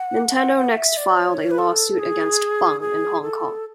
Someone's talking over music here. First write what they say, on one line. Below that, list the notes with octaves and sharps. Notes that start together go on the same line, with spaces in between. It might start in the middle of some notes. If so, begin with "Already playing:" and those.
Nintendo next filed a lawsuit against Bung in Hong Kong.
Already playing: F#5
F#5
F#5
E5
D5
C#5
B4
A4
G#4
G#4
A4